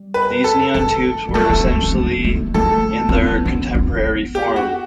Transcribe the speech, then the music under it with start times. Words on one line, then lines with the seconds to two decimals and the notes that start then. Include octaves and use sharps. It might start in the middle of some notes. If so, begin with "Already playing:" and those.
These neon tubes were essentially in their contemporary form.
Already playing: G3
0.14 B4
0.44 A4
0.74 A3 A4
1.29 G3
1.34 A3 A4
1.50 B3
1.64 A3
1.80 C#4
1.95 B3
2.25 A3
2.54 A3 A4
3.09 C#4
3.15 B3
3.46 C#4
3.75 B3
4.35 G4
4.56 F#4